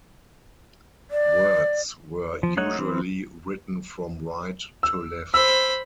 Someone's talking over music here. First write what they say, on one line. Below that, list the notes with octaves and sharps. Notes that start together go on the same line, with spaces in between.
Words were usually written from right to left.
D5
F3
A3 D#4 F#4 C#5 F#6
E3 C4
E6
C5 B5 E6